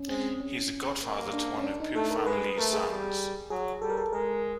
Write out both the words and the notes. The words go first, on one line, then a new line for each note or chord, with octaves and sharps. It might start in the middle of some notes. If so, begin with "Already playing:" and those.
He is the godfather to one of Pui Fan Lee's sons.
Already playing: C#4
G#3 C4
C#4
A#3
D4
C#4
D4
D#4
A3 A4
A#4
G#3 B4
A3 A#4
G#4
G3
F#3 G#4
G3 A4
A#4
A4
G#3 A#4